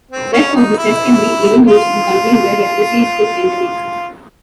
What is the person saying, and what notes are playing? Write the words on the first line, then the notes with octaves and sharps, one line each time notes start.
Therefore, this test can be even used in countries where leprosy is still endemic.
C4
C#4
D#4
E4
F4